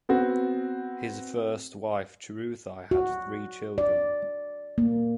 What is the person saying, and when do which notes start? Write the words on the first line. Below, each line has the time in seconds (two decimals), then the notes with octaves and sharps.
His first wife Chiruthei had three children.
0.09 B3 C4 F#4
2.91 F#4
3.78 D5
4.78 A#3